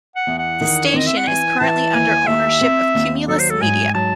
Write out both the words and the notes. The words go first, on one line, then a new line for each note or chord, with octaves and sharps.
This station is currently under ownership of Cumulus Media.
F#5
E2
F#5
D#3
C#5
C4 D#5
E5
F#5
E3 G#5
E3 A5
D#2 G#5
D#2 E5
C4
D#2
F#3 A4
C5
A4
G#2 G#5
F#3 A5